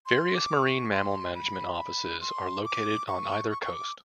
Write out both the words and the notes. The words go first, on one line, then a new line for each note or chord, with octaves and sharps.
Various Marine Mammal Management offices are located on either coast.
C6
D6
C#6
C6
B5
C6
B5
C6
D6
C#6
C#6
C#6
D6